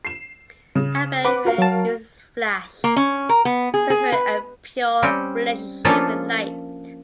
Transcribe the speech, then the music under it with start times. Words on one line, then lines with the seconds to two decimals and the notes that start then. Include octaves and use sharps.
Abell rarely uses flash, preferring a pure relationship with light.
0.05 C7 E7
0.75 C#3
1.25 B4 F#5 D6
1.45 F#4 A#4 F5
1.58 F#3 A5
2.84 A#3
2.96 C#4
3.29 A#4
3.45 B3
3.74 G#4
3.90 G#4
4.12 B4
5.03 G3 C4 C#4
5.85 F3 A#3 C#4 D4 F4 A4